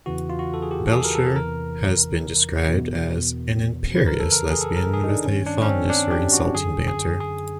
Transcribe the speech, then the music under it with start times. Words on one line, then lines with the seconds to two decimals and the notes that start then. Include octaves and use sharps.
Belcher has been described as "an imperious lesbian with a fondness for insulting banter".
0.06 E2 C#3 E3 F#4
0.30 F4
0.39 F#4
0.54 A4
0.62 G#4
0.71 G4
0.88 A4
0.93 G#4
1.04 A#4
1.15 A4
1.36 E2 C3 E3 A#4
2.66 E2 B2
3.95 F2 C#3 E3 B4
4.07 A#4
4.20 A4
4.32 A#4
4.51 G#4
4.61 A4
4.76 A#4
4.93 G#4
5.04 D#4
5.09 D4
5.25 G2 D#3 C#4
5.46 D4
5.62 C#4
5.69 C4
5.90 D4
6.11 G4
6.33 F#4
6.55 F#2 D3 G#4
6.88 G#4
7.20 G#4